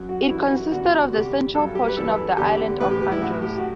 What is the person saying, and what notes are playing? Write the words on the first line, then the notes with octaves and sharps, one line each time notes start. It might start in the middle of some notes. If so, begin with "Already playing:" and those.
It consisted of the central portion of the island of Andros.
Already playing: F#2 F#3
F#4
F#2 E3 G3 E4
F#4
E2 D3 G3 F#4
E2 C3 G3 G4
G2 F#3 A4
G4
B4
F#2 E3 G3 A4
E2 D3 G3 G4
A2 E3 G3 B4
G4
G4
E4
A2 F#3 F#4
G4
F#4